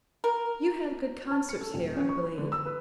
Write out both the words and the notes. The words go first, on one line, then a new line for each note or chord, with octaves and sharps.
'You have good concerts here, I believe.'
A#4
A5
C#7
A4
D#1
C#4
C#6
B4
D3
E6
B4